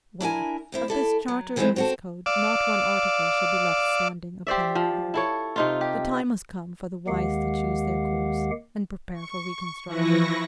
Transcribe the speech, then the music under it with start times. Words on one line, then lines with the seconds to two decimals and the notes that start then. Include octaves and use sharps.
Well! of this charter and this code not one article shall be left standing upon another! The time has come for the wise to choose their course, and prepare for reconstruction.
0.21 D4 E4 A#4 G#5
0.72 F#2 C4 E4
0.88 E4 A4 D5
1.28 F#3
1.56 D#3 E3 F#3 G#3 A3 C4
1.76 C4 F#4 A4
2.26 D5 F5 D6 E6
4.47 G4 C5 D5 E5
4.75 F3
5.14 E4 A4 C#5
5.56 C3 D#4 F4
5.81 G4
7.08 D#2 D#3 G#3 G4 F5 F#5
9.13 C#6
9.86 E3 F3 E4 B4 C#6 A#6